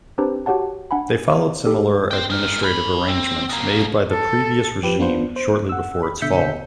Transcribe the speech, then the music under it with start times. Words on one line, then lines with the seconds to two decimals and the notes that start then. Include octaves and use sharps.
They followed similar administrative arrangements made by the previous regime shortly before its fall.
0.18 C4 D4 G4 B4 C5 A#5
0.46 F#4 G4 C#5 F#5 A5
0.91 D4 F#5 G#5 B5
1.66 D#4 G4 A4
2.11 C5 G5
2.30 G#3 A#4
2.63 G#5 B5
3.08 C4
3.49 B2 A#3
4.11 A4
4.83 F3 G4 B4
4.99 B3 D4 F4 B4 C5
5.36 C5
5.69 F#5 E6
6.03 B5
6.21 B2 D3 E5 G6 B6 C#7